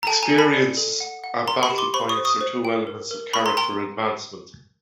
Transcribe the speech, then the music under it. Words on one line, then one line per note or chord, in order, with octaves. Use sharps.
'Experiences' and 'Battle points' are two elements of character advancement.
A#5
A4 G5 A5
G#5 A#5
A4
A5 B5
D5
A4
F#5
F#5
A#4 A#5 C6
B5 C#6
G4
C6 D6
C5 B5 C#6
C#6 D#6
C5
C#6 D#6
C5
G5
A#4
A#4
A#4 B5 C#6
A#5 C6
G5 A#5 C6